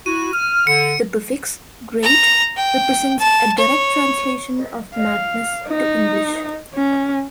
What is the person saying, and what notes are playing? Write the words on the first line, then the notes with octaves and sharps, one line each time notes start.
The prefix "great-" represents a direct translation of "magnus" to English.
E4 F#4 D#7
F6
D3 C#7
A#5
G5
A5
C#5
F5
D#4
C#4